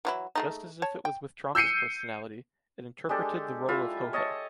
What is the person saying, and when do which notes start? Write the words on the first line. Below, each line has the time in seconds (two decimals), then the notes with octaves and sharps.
Just as if it was with Trancas personality, it interpreted the role of Ho-ho.
0.05 E3 F#3 E4
0.35 G#3 A3 D#4
0.82 C#5 A5
1.05 G5
1.55 E6 G6 C7 C#7 D#7
3.09 G#3 D4 G4 A4
3.68 E4 F4 E5
4.13 C#5 D#5 E5 A5